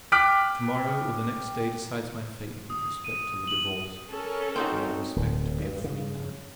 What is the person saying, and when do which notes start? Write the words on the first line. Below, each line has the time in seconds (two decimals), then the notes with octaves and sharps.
To-morrow or the next day decides my fate with respect to the divorce, when I expect to be a free man.
0.12 G5 D6 F6 F#6 B6 D7
2.70 D#6
3.04 D#7
3.47 F#7
4.09 C#4 A4 A#4
4.56 C4 D#4 F#4
5.16 D1
5.60 G2
5.84 C#3